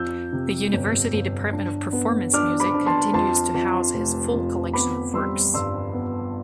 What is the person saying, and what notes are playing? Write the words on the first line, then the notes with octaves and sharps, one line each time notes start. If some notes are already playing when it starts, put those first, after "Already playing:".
The University Department of Performance Music continues to house his full collection of works.
Already playing: F2 E6 G6
C3
G1
G1
D4
B3
D4 D6 F6
B5 D6
D4
A5 C6
F2 A5 C6
F2
F1
F2
B3 B5 D6
G3 C6 E6
G2 C6 E6
B3